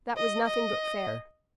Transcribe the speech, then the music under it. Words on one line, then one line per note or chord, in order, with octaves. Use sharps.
That was nothing but fair.
D#5
D#5